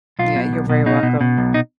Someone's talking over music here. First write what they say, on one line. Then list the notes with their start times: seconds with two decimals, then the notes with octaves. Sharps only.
Yeah, you're very welcome.
0.19 B1 F4
0.36 B2
0.53 B1
0.69 B2
0.86 B2 D#4
1.03 B2
1.21 B2
1.37 B1
1.54 D#4